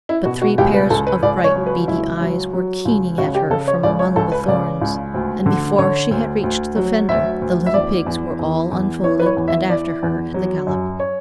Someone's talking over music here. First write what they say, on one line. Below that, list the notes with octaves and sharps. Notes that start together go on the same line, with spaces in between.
But three pairs of bright beady eyes were keeking at her from among the thorns; and before she had reached the fender, the little pigs were all unfolded and after her at the galop.
E4
B2 F#4
F#4
C#2 G4
B4
C#2 A4
B4
C#2 D5
C#5
F#3
B4
C#2 E4
F#3
F#3
C#2
C#3 F#4
G4
C#3 A4
C#5
C#2 D5
C#5
C#2 A4
B4
C#3 D5
C#2
D2
D3
D3 C#5
D2
D2
F#3
D2 E5
D2
E5
E2 D5
E2
E2
E2
E3 C#5
B4
C#5
E2
E5
E3 D5
E2
F#3
F#2
C#5